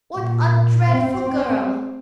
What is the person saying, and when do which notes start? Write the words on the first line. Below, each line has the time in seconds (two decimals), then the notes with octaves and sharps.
"What a dreadful girl!"
0.17 A#2
0.92 C4